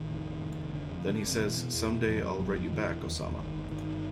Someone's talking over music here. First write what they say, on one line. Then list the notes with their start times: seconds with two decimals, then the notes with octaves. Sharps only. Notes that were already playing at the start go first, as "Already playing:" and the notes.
Then he says: "Someday, I'll write you back, Osama".
Already playing: A1 D#3
0.09 F1
0.25 F1
0.42 F1
0.58 F1
0.74 D3
0.91 F2
1.07 D3
1.24 F1
1.40 B2 E3
1.57 B2
1.74 E2
1.90 B2
2.06 F2 F3
2.23 F2 F#3
2.39 G1 F#3
2.56 F2 F3
2.72 D3 E3
2.89 E1
3.05 D#2
3.22 E1
3.38 G1 D#3
3.55 G1
3.71 G1 D#3